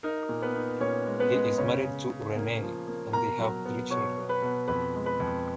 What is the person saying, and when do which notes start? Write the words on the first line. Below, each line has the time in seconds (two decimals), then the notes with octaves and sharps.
He is married to Renee and they have three children.
0.03 D#4 A#4
0.29 A#2
0.42 B3 B4
0.56 D#4
0.80 A#2 C#4 C#5
1.06 G#3
1.20 B3 B4
1.32 G#3
1.58 C#3 C#4 C#5
1.84 C#3
2.10 C#3
2.36 A#3
2.62 F3
2.88 A#3
3.13 B2 A#4 A#5
3.38 F#3
3.65 B3
3.90 B2 C#5 C#6
4.16 B3
4.29 B4 B5
4.42 B2
4.68 F2 B4 B5
4.94 G#3
5.06 B4 B5
5.20 F2